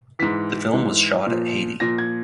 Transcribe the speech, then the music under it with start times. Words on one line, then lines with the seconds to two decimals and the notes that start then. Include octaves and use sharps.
The film was shot at Haiti.
0.19 G#2 E3 B6
0.73 G#2 E3
1.27 A#2 F3
1.80 A#2 F3 A#6
1.98 G#6